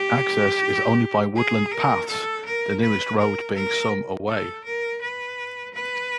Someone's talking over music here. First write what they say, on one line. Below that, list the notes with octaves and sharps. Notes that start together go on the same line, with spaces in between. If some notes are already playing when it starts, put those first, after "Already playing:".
Access is only by woodland paths, the nearest road being some away.
Already playing: G4
G#4
A#4
A4
A#4
B4
A#4
A#4
A4
A#4
B4
B4